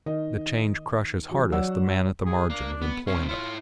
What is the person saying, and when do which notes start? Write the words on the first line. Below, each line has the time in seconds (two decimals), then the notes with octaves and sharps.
The change crushes hardest the man at the margin of employment.
0.06 D#3 D#5
1.29 E3 F#3
1.52 F#3 F#4 D5 F#5 E6
2.26 G#4
2.50 A#3 D4
2.82 B3
3.07 B1 C4 C#4
3.29 E4 F4 C#5